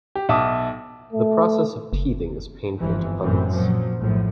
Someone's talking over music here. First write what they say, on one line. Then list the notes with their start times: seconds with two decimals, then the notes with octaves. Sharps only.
The process of teething is painful to puppies.
0.15 G4
0.29 B1 E5 A5 D6 D#6
1.13 A3
1.93 F#1
2.78 G1 F2 G#2 E3 F3
3.20 G#1 F#2 A2 C3 E3 C4
3.52 A#2 F3 F#3
3.99 A#1 F#2 A2 F3